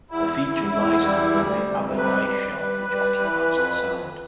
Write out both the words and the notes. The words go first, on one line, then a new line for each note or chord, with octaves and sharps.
The feature rises above the Abbot Ice Shelf which occupies the sound.
E2 E4
E2
E2
G3
D2
C3
G3 B4
G3
G3
G3
E3
F2
F2